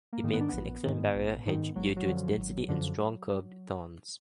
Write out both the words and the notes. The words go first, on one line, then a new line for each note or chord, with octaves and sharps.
It makes an excellent barrier hedge due to its density and strong curved thorns.
A#3
G#2 D#3
B3
D4
A#1 B3
G#2 D#3
A#1
G#2 D#3
G#1 F#3
F#3
F#2 D3 F3
F#3
G#1
F#2 D3 F3